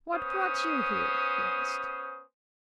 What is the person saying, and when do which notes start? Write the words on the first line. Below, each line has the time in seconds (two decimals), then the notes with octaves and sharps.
"What brought you here?" he asked.
0.13 B3 C#4 C5 D#6